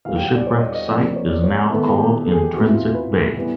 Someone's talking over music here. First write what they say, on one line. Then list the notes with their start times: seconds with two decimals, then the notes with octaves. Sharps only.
The shipwreck site is now called 'Intrinsic Bay'.
0.05 E2 B2 G3 F5
0.16 G5
0.26 F#5
0.36 D5
0.47 C#5
0.55 D5
0.60 D#5
0.75 D#5
0.88 C3 F3 A#3 D5
1.02 D5
1.16 C#5
1.29 D5
1.43 C#5
1.70 D#3 G#3 B3 E4 A4
1.84 G#4
1.98 G4
2.21 A4
2.32 G#4
2.43 G4
2.53 E2 C3 E3 F#4
2.65 E4
2.74 F4
2.94 B4
3.36 A2 E3 G3 B3